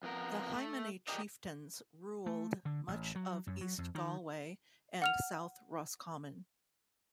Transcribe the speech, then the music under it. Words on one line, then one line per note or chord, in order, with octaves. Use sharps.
The Hymany chieftains ruled much of East Galway and South Roscommon.
F2 B3 A#4
A3
G4 G#4 A#4 D5 D#5
A3
D3
A1
F#3
F#2
F#3
F2
D#3
F#5 F6 F7